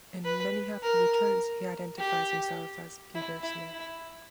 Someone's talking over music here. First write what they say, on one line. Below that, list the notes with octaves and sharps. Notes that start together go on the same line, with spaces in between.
In "Many Happy Returns" he identifies himself as 'Peter Smith'.
B4
A#4
G4
E4
E4
E4